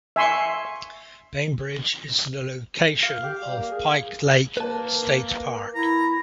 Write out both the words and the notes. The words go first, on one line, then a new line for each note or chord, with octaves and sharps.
Bainbridge is the location of Pike Lake State Park.
E5 G#5 C6 C#6
F5
G4
G3
A#3
G#4
A#3 B4 A5
E4 A#5